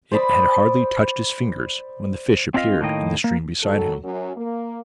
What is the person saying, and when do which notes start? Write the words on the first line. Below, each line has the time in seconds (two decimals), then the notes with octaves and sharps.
It had hardly touched his fingers when the fish appeared in the stream beside him.
0.12 C5 D5 B5 D#6
2.54 C4 D4 F4 D#5 F5
2.81 A2 D#3 A#3 D#5 G5
3.24 A#3
3.61 D#3 F#3 A4
4.03 F#2
4.35 A#3